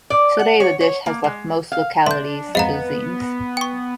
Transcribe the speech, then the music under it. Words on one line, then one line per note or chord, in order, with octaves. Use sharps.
Today the dish has left most localities' cuisines.
D5
F#5
C#5
C#5
A#3
G#3
F5
D4 B4 E5 A5 C6 G6
F2 G#2 B3 D#5 F5 A#5
G5 C#6